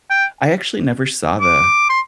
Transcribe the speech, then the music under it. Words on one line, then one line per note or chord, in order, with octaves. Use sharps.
I actually never saw the
G5
D6
C6